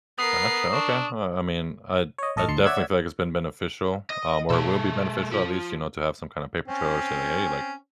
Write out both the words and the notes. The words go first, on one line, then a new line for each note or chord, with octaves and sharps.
Gotcha. Okay, well, I mean, I I definitely feel like it's been beneficial, um, or it will be beneficial at least, you know, to have some kinda paper trail or say, like, "Hey, like,
B3 A#4 D#6 C7
D4 C#6
C#5 D#5
A1 A4 D#5 A5 C#6 F6
D2 A5 C6 C#7
C#5 D5 E5 F#5 E6 G#6
D#5
B2 G#3 A4
F3
C4 C#4